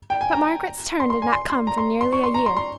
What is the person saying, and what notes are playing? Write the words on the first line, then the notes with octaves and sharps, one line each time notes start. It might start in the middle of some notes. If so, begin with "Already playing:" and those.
But Margaret's turn did not come for nearly a year.
G5
G#5
A#5
C6
C6
G#5
C6
C6
A#5
C6
C6
C#6
C6
A#5
C6
C6